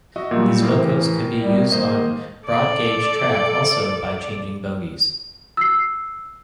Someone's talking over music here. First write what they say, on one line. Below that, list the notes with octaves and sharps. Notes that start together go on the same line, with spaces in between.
These locos could be use on broad gauge track also by changing bogies.
F#4 D#5 E5
A#2 F#3 G3
A2 E3 A#4
G3
D#3 A#3 C5 D#5
A4 D5
E6 C7